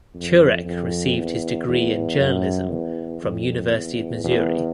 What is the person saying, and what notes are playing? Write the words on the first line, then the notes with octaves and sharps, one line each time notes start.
Turek received his degree in journalism from University of Missouri.
F2
F2
E2
E2
F#2
E2
F2
E2
E2